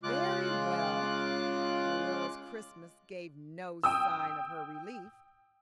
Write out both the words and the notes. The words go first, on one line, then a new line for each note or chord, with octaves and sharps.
"Very well." Marilla's crispness gave no sign of her relief.
C#3 G#3 F4 D6 F#6
G5 D#6 E6